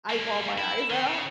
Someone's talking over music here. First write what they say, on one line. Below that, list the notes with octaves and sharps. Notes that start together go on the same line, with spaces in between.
I bawl my eyes out.
G3 A#3
E4
D#3
C#3